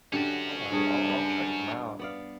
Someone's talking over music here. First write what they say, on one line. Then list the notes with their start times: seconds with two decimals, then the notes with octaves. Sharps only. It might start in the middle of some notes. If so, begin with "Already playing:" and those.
Alright, I'll I'll check them out.
0.13 D3 C#4 F#4 G4 D5
0.72 G2 G#4 C#5
1.09 D4 B4
1.99 B3 D5 F5